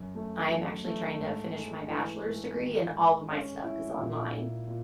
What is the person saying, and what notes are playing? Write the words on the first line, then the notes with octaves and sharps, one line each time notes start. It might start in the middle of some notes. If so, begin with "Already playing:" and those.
I am actually trying to finish my bachelor's degree, and all of my stuff is online.
Already playing: F#2
A3
F#3
A3
G#2
G#3
E3
G#2
D#3
G#3
C#4
E4
A#2
A#2
A#2